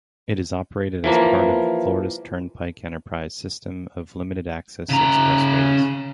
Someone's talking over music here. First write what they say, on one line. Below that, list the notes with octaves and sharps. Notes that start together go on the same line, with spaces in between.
It is operated as part of the Florida's Turnpike Enterprise system of limited-access expressways.
E3 F3 A#3
C#3 A#5